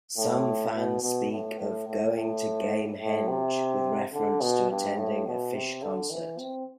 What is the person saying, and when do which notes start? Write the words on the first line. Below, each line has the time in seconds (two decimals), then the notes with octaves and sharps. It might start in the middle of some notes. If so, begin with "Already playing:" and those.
Some fans speak of "going to Gamehendge" with reference to attending a Phish concert.
0.17 A2
0.75 B2
1.03 B2
1.31 A2
1.60 A2
1.87 A2
2.15 A2
3.00 A2
3.28 C3
4.13 D3
4.41 B2
4.70 G2
4.97 A2
5.27 B2
5.54 C3
5.83 D3
6.10 E3
6.39 C4